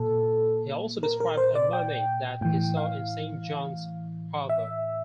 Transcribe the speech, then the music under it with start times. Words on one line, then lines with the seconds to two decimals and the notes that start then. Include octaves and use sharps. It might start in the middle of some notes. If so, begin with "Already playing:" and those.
He also described a mermaid that he saw in Saint John's harbour.
Already playing: A#2 A4
1.03 A#4
1.20 A#4
1.37 C5
1.55 D5
1.73 G5
2.41 A2 E3 G5
2.77 F5
4.49 E5